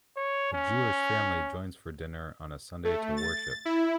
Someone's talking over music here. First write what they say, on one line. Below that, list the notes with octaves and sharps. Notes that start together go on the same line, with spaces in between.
A Jewish family joins for dinner on a sunday to worship.
C#5
C#4
A3
A6
E4